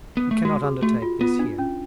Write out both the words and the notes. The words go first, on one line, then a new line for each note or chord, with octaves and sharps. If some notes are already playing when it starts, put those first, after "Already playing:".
We cannot undertake this here.
B3
A3
G#3 F#4
G#4
A3 F#4
F4
B3 F4
D4
C#4